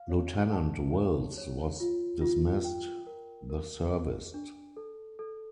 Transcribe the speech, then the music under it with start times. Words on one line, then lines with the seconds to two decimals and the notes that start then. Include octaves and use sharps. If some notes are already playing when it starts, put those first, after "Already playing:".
Lieutenant Wills was dismissed the service.
Already playing: F5
0.10 C#5
0.52 A5
0.94 C#5
1.38 C#5
1.80 F4
2.21 F4
2.64 G5
3.07 A#4
3.50 A#4
3.91 A#4
4.34 D4
4.77 A4
5.19 A4